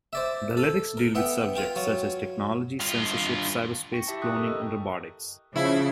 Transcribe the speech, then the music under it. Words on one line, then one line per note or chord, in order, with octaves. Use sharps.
The lyrics deal with subjects such as technology, censorship, cyberspace, cloning and robotics.
C5 D5 E5
A4
A#4
B3 E5 F#5 G5
F4 F5 G5
F#3 F4
G2 F4
G5 C#6 A#6 C#7
E4 G4 E5 G5 A5
G5 C#6 D#6 F#6
A4 A#4 A#5
D#5
C#3 F3 E4